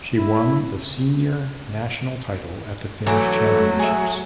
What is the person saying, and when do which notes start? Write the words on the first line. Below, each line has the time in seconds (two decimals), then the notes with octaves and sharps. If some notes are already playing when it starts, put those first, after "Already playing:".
She won the senior national title at the Finnish Championships.
0.14 E4
3.07 D3 E3 F#3 A3
3.79 G#4 E5